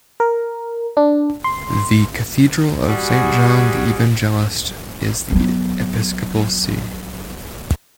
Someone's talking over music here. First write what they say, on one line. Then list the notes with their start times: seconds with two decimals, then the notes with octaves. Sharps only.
The Cathedral of Saint John the Evangelist is the episcopal see.
0.20 A#4
0.97 D4
1.44 C6
2.88 G3 F#4 G#4
5.32 F#3 B3